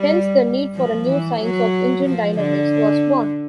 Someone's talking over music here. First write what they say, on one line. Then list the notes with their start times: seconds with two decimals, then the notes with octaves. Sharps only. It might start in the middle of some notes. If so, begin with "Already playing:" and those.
Hence the need for a new science of engine dynamics was born.
Already playing: G3
0.75 F3
1.08 E3
1.39 F#3
2.05 F3
2.38 D3